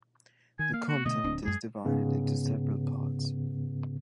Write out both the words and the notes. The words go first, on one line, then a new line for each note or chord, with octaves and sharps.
The content is divided into several parts.
D#3 G#5
A#3 F5
F#4
B2 D3 A3 D#5
D1 C4 D4
F#2 G#3 G#4
G#2 C#3 B3